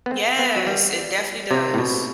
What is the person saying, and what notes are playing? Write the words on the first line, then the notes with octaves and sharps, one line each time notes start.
Yes, it definitely does.
B3
C4
B3
F#3
G3
C3
A2
B2